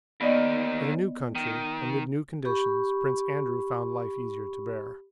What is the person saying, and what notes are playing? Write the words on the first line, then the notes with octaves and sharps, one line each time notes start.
In a new country, amid new conditions, Prince Andrew found life easier to bear.
D#2 D#3 B3 D5 D#5
D#3
G4 B5 C#6